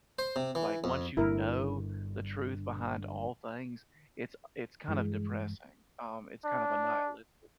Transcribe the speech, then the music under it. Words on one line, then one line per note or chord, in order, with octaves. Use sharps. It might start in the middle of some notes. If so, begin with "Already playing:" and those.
like, once you know the truth behind all things, it's a it's kind of depressing, um, it's kind of a nihilistic
C5
C3
E3
F2
G1 G2 D3 E4 A#4
G2 E3 G#3
D4